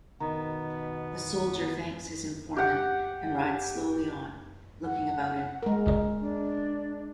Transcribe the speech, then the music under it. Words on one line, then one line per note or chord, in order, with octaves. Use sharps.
The soldier thanks his informant and rides slowly on, looking about him.
B2 D#3 B3 A#5
G4 F#5
F#5
G#3 A#4
D4